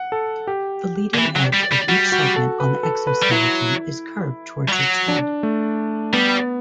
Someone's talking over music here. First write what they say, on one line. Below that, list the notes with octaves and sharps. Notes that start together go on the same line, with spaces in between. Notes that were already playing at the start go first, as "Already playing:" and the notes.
The leading edge of each segment on the exoskeleton is curved towards its head.
Already playing: F#5
A4
G4
D3
E3
F#3
G3
G3
G3 F#4
F#4
A4
B4
A4
B4
G3
F#3 E4
G3
F#3
D4
A3
G3 B3